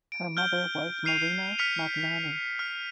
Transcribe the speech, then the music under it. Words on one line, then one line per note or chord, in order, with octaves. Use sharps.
Her mother was Marina Magnani.
D7
F6 G6 G7
F6 C7 D#7 F7
F6 B6 C#7 F7
F6